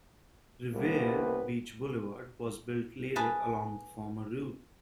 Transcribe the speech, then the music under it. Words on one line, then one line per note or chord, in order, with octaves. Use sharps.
Revere Beach Boulevard was built later along the former route.
C2 G3 A#3 B3 C#4 B4
G#4 B4 A5